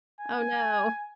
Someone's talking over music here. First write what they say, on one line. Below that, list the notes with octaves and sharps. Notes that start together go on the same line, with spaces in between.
Oh, no.
G#5